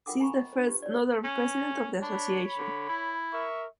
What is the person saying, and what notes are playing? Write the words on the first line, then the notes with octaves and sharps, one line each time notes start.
She is the first Northern President of the association.
F4 A#4 F#5 G5 D6 D#6
G5 G#5 A#5 B5 C#6
D#5
D4 C5
F4 G4 B4
C#5 D5
C#4
D4 C#5 B5
D3
E4
A#4 E5 C#6